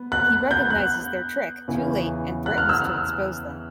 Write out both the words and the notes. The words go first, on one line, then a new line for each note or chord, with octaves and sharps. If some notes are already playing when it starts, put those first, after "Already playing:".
He recognizes their trick, too late, and threatens to expose them.
Already playing: B3
F#6
G6
F#6
E2 C#3 E3
F#6
F6
E6
F6